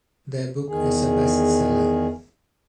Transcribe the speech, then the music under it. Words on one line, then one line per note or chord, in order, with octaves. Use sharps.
Their book is a best seller.
E2 D#3 G#4